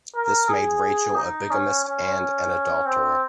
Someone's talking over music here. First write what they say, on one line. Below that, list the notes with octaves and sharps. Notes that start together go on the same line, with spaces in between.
This made Rachel a bigamist and an adulterer.
A#4
G#4
D#4
C#4
C#4
C4